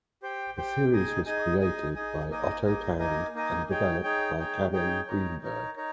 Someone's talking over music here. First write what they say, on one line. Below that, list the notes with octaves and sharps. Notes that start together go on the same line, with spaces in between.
The series was created by Otto Tang and developed by Carin Greenberg.
G4 C5 G5
G4 C5 G5
D#4 G#4 D#5 G#5
D#4 G#4 D#5 G#5
D#4 G#4 D#5 G#5
D#4 G#4 D#5 G#5
A#3 D#4 A#4 D#5 G#5
A#3 D#4 A#4 D#5 G#5
A#3 D#4 A#4 D#5 G#5
A#3 D#4 A#4 D#5 G#5
D#4 G#4 C#5 G5
D#4 G#4 C#5 G5
D#4 G#4 C#5 G5
D#4 G#4 C#5 G5
D#4 A#4 C#5
D#4 A#4 C#5
D#4 A#4 C#5